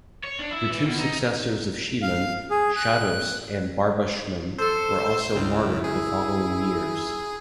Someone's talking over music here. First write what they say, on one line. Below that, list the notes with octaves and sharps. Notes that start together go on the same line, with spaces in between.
The two successors of Shemon, Shahdost and Barba'shmin, were also martyred the following years.
C#5
D4
E4
E3
B2
D#4
F5
G#4
F#6
A4 C5 C6
C#2 C#3 E4
G#4